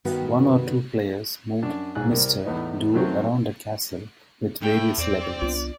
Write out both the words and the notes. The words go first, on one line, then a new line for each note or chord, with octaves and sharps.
One or two players moved Mr. Do around a castle with various levels.
G2 D#3 G3 B3 F#4 B4
F#2 D4
B1 G#2 G#4 F#6
C2 A#4
E2 A2 B3 D#4
F#2 D#3 F#3 A3 C4
A2 G5
E2 C4 D5
C2 B3 D4 F4